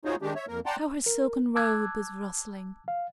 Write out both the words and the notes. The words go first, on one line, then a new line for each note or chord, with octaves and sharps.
How her silken robe is rustling!
D#4 F4 F#4 G#4 C5 C#5
D#3 G#3 D4 G4
C#5 E5
F2 A#3 A#4
D5 F#5 G5 A5 A#5 C6
A#4
A5 D6 E6 F#6 G#6
F5